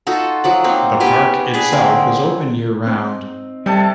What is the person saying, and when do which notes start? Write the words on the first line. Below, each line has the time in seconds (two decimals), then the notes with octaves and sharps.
The park itself is open year-round.
0.07 D#4 F4 F#4 A4
0.44 F3 F#3 F#5
0.64 A#3 C4 D#4
1.00 B3 G4 G#5 C#6
1.54 D4 G#4 B4
1.72 D3 A#3 C4 A#4
2.87 C4 D#4
3.66 C3 G3 A4 A5